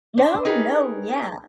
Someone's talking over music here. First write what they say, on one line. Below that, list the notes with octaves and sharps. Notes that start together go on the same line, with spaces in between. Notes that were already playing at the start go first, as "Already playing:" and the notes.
No, no, yeah.
D4 C5
D#4 G4 G#4 A#4 B4 C#5